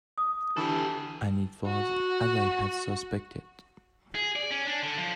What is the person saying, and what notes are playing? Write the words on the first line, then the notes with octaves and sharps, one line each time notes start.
And it was as I had suspected.
D#6
D3 E3 G4 A4
F#4
G#4
D5
C#4
D4
D3
F3